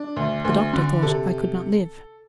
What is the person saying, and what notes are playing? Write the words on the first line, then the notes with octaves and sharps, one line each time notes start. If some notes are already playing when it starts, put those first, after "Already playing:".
The doctor thought I could not live.
Already playing: D4
D2
D2
D3
C3 A4